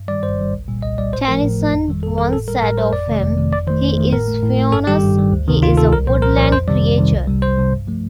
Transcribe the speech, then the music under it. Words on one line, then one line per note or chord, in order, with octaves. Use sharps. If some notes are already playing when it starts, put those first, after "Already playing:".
Tennyson once said of him: 'He is Faunus, he is a woodland creature'.
Already playing: G2
D#3 G3 D5
G2 C5
D#3 G3
C2
A#2 G3
C2 D#5
A#2 G3 D5
A2 C5
F3 A3 A#4
A2
F3 A3
F2
D#3 G3
F2 A4
D#3 G3 A#4
A2 A4
G3 A#4
A2 A#4
G3 C5
F2 D5
C3 D#3 A3
F2
C3 D#3 A3
F2 D5
D#3 A3 C5
F2
D#3 A3
A2 A#4
A3
A2
A3
G2 A4
D#3 G3 G4
G2
D#3 G3
D2
C3 D#3
D2 F4
C3 D#3 A4
C2 A#4
A#2 F3 C5
C2 A#4
A#2 F3 D5
F2 C5
C3 D#3 G3 D5
F2
C3 D#3 G3
C2
C3 G3
C2 C5
C3 G3
G2
F3 A3